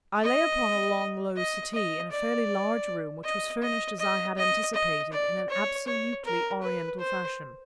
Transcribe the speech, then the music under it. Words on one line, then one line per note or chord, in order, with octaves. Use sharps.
I lay upon a long low settee, in a fairly large room which was furnished as I had anticipated in an absolutely Oriental fashion.
D#5
D#5
D#5
D5
D#5
D#5
D#5
D#5
D#5
D5
C#5
C#5
A#4
B4
C5